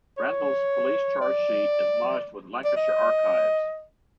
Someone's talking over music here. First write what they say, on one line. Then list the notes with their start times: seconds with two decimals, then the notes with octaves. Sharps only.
Randle's police charge sheet is lodged with Lancashire Archives.
0.18 C#5
1.22 D5
2.65 D5
2.77 D#5